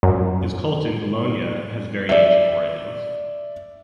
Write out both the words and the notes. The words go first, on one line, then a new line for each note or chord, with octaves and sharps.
His cult in Bologna has very ancient origins.
F#2
D5 E5